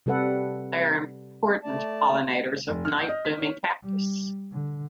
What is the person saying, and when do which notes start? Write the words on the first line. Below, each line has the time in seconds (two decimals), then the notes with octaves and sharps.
They are important pollinators of night-blooming cactus.
0.06 C3 G3 A4 B4 F#5
1.63 A3 D5 A5
2.69 F1
2.85 F6
2.98 G6
3.09 D#5
3.25 B6
3.40 C#5
3.83 G3
4.52 D3